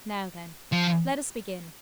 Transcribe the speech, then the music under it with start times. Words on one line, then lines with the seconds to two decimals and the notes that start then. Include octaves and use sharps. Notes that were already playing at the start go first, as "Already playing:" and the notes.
Now then, let us begin.
0.72 F3